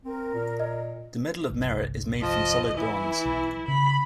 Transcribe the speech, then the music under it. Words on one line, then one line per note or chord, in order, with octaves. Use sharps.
The Medal of Merit is made from solid bronze.
C4 A#4
A#2
D#5
G1 C2
F3 D#5
E3 E4
B1
C#3 B5